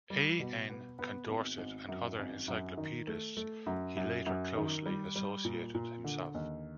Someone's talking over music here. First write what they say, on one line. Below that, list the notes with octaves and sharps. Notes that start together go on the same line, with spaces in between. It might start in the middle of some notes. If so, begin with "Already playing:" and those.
A. N. Condorcet and other Encyclopedists, he later closely associated himself.
G3
B2
B3
B3
G#1
G#1
F#2
G#1
F#2
D#3
A3
A3
F#2
F#2
F#2
D#3
G3
G3
A#2
A#2
D3
D#2